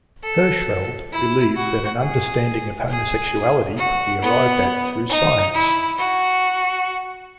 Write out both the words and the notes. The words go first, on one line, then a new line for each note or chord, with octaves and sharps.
Hirschfeld believed that an understanding of homosexuality could be arrived at through science.
A4
E4
F#4
G#4
G#4
F#4
B3
D#4
E4
F#4